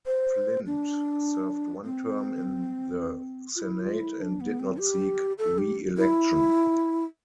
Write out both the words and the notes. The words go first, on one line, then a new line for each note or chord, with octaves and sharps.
Flint served one term in the Senate and did not seek reelection.
C5
D4
C4
F4
E4
F4
E4
D4
B3
C4
G4
A4
G4
E4